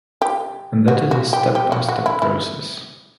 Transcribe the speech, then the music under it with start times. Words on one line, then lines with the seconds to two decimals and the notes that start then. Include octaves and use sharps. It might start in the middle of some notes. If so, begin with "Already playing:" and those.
And that is a step by step process.
0.22 G4
0.88 F#4
1.11 F#4
1.33 G4
1.55 G4
1.72 F#4
1.89 F#4
2.06 E4
2.22 E4